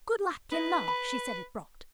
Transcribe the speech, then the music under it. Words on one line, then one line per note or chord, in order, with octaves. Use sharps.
Good luck in love she said it brought.
D#4 B4 D#5 E5
B5